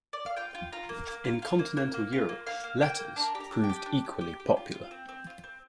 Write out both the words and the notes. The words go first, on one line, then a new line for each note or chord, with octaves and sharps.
In continental Europe, "Letters" proved equally popular.
D5
F5
F4 G5
F4
F4 A#5
A#3
A#3
F4
F4
A#3
A#3
A#3
F4
A#3
A#3 F5
A#3
A#3 G5
A#3
D4 A#5
G4
A#5
D4
G5
G4
D4
G4
G4
G4
F4
F4
C4
C4
F4
C4